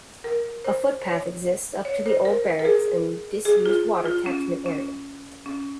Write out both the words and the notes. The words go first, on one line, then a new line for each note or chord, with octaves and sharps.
A footpath exists up to the old barracks and disused water catchment area.
A#4
C5
C#5
C#5
C5
A#4
A#4
G#4
G#4
F4
F4
C#4
C#4
C#4